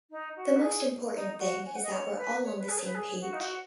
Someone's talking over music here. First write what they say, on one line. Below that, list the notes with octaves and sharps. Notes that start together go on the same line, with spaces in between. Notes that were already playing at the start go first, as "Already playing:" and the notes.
The most important thing is that we're all on the same page.
D#4
F#4
B4
G#4
D#4
F#4
G#5
F#5
D#5
C#5
B4
C#5
B4
G#4
C#5
B4
G#4
F#4
D#4
F#4